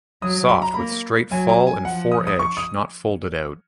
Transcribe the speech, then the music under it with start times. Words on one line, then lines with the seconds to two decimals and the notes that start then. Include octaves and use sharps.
Soft with straight fall and fore edge not folded out.
0.22 F#3 D#6
0.49 B5
0.62 A#5
0.74 A#3 B5
1.31 F#3 G#5
1.49 A#5
1.67 G#5
1.85 F3 F#5
2.11 D#6
2.27 D#6
2.39 C#6
2.57 D#6